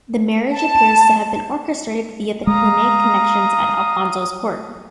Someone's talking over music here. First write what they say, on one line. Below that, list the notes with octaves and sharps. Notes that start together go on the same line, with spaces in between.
The marriage appears to have been orchestrated via the Cluniac connections at Alfonso's court.
A5
G#3 F5 A#5 D#6